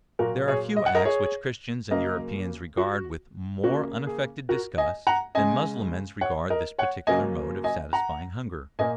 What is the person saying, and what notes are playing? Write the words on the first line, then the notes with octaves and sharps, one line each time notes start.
There are few acts which Christians and Europeans regard with more unaffected disgust, than Mussulmans regard this particular mode of satisfying hunger.
A#2 F#3 A#3 F#4 A#4
G#4 C#5
D#5
F#5
A#4 D#5
G#4 C#5
F#2 C#3 F#3 A#3 A#4 D#5
F#4
C#3 A#3 F#4
G#4
F#4 A#4
D#5 G#5
F#5 A#5
C#3 G#3 D#5 G#5
C#5 F#5
A#4 D#5
C#5 F#5
F#2 C#3 F#3 A#3 D#5 G#5
D#5 G#5
F#5 A#5
A#2 A#3 D#5 G#5